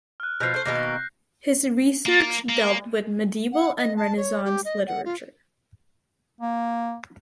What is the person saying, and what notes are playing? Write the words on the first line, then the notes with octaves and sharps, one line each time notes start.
His research dealt with medieval and Renaissance literature.
F6 F#6
B2 F3 F#6 G6 C7
A3 C5
B2 D#3 A#3 A#6
A#3
A#3
F#5
D#5
A5
C#5
G4
D#5
F#5
F4
A#3